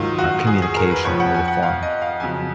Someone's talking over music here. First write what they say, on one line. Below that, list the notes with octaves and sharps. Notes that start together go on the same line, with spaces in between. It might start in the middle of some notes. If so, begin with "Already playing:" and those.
communication with a former?
Already playing: G#2 D#3 F#3 F4
F#4
G#4
G#4
A#4
B4
F2 F3 C#5
F#5
G#5
F#5
F5
D#5
F5
F2 C#3 F#3 G#5